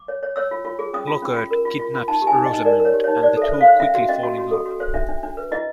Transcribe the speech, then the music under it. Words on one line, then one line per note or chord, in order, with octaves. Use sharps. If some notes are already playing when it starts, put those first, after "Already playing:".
Lockhart kidnaps Rosamund, and the two quickly fall in love.
Already playing: D6
C#5
C#5
C#5 E6
F4
F4
G#4
C#4 D#6
F4
C#4
F4
A#4
F4
F4
F4
D#4 A5
G4
G#5
D#4
D#5
D#4
A#4 D5
A#4
C#5
G4
D#4 C#5
C5 D5
A4 E5
C5
F5
C5
C#4 E5
F#4
C#4 D#5
F#4
F#4
A4
F#4
C5
D4 E5
D4
D4
B4
E4 D#5